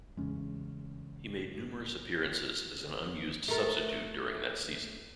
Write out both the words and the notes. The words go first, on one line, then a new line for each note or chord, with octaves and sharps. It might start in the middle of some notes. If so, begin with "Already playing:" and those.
He made numerous appearances as an unused substitute during that season.
E2 C#3 G#3 C#4
A3 A#4